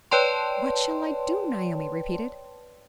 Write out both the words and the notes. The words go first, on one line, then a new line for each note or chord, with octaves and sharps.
"What shall I do?" Naomi repeated.
B4 C#5 D5 G5 A5 C6